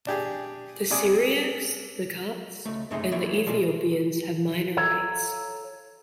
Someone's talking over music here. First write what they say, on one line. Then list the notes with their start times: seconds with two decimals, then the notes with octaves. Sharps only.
The Syriacs, the Copts, and the Ethiopians have minor rights.
0.07 D4 G4 G#4
0.90 C3 D5 G#5 D#6
2.65 C#2 A3
2.91 F#2 C3 A3 D#4 G#4 C6
3.11 E3 G3 A#3 E4 C#5
3.46 B2 F4 G#4 D5 A5
4.77 A4 C#5 F5 A#5